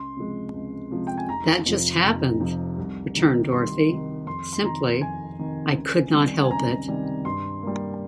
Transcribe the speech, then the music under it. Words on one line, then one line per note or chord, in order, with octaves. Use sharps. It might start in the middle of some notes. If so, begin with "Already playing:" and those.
"That just happened," returned Dorothy, simply; "I could not help it."
Already playing: C#2 C6
C3 F3 G#3
C#2
C3 F3 G#3
G5
G#5
F1 A#5
F2 C3 F3
F1
F2 C3 F3
C2
C3 D#3
C2 C6
C3 D#3
F2 C6
C6
C3 D#3 A#5
F2 G#5
C3 D#3
C#2
C3 D#3 G3
G#5
C#2 A#5
C3 D#3 G3
G2 C6
G3 A#3